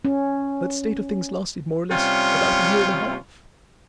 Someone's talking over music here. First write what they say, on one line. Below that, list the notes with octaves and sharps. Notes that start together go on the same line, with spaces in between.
That state of things lasted, more or less, about a year and a half.
C#4
C3 G3 C#4 F4